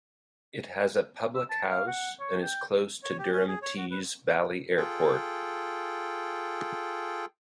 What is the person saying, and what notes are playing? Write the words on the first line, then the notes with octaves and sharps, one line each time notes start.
It has a public house and is close to Durham Tees Valley Airport.
E6
A5
F5
F#5
C#5
G5
C#5
G4
C#4
G#4
C#5
F#4
B4
F4 G#4 A4 G5